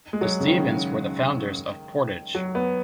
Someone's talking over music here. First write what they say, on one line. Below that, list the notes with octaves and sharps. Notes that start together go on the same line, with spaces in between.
The Stevens were the founders of Portage.
G#3
F#3
C#3
D#3
F#3
B3